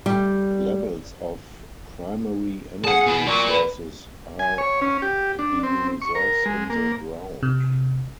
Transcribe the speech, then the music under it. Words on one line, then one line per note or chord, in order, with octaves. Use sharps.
Levels of primary energy sources are the reserves in the ground.
G3
G#4 F#5 A5
B2 B3
F#3 A#4 D5
B4
G#5
C#5
C#4
G4
D4
C4
C#6
A#4
G#3
A#3
C3